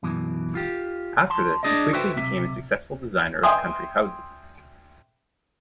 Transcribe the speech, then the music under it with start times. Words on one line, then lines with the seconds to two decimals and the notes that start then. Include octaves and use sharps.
After this he quickly became a successful designer of country houses.
0.03 F#2 B2 E3
0.55 F4 G4
1.30 A5 C6
1.63 D4 D#4 G#4 D5 D#5
1.93 F#4 A4 B4 C5 E5 G5
2.16 B1 C3 E5
3.43 E5 G5 G#5 C6 D#6